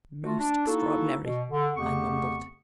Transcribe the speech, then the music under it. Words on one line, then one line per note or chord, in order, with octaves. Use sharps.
"Most extraordinary!" I mumbled.
A3 F4 F#4
D4
A#3 D#4 E4 F#4 A4
B2
D3
F2 C#3 A3 B3 G4 C#6